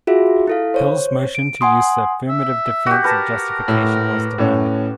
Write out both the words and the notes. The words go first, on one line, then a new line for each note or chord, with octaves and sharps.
Hill's motion to use the affirmative defense of justification was denied.
F4 F#4 G#4 E5
E4 A4 F5
C5 C#5
D7
F#5 G#5 C6 D#6
E5
F#4 G4
A#4 B4 A5
A2
A2 C#4